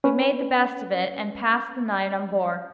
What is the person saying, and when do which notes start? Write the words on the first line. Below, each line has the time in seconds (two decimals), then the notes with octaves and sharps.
We made the best of it, and passed the night on board.
0.04 C#4 B4